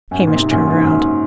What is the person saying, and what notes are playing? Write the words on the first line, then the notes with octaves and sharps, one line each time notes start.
Hamish turned round.
F#2
G#2
A#2
G#2 C3
F#2 A#2
G#2
G#2
F#2